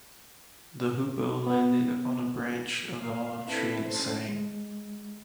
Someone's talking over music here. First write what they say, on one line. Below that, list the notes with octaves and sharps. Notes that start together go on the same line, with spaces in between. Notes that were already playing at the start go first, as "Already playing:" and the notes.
The hoopoe landed on a branch of the olive tree and sang.
B3
A#3 F5
C4 D4 E4 A4 B4
C#4 A4 C5
G#3